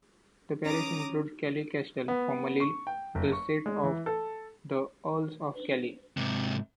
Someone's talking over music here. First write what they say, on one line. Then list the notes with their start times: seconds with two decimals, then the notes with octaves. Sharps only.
The parish includes Kellie Castle, formerly the seat of the Earls of Kellie.
0.65 C#4 A#5 D6 D#6
2.08 B3
2.60 C#6
2.87 G5
3.15 F#1
3.32 C#6
3.66 G#3
3.84 E3
4.06 A4
6.17 G#2 C3